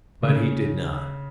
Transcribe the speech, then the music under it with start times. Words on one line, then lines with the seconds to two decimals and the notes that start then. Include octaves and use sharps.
But he did not.
0.23 C#3